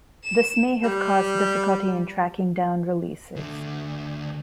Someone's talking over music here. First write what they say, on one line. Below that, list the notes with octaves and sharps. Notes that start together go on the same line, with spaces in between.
This may have caused difficulty in tracking down releases.
E7
G3
D2 D3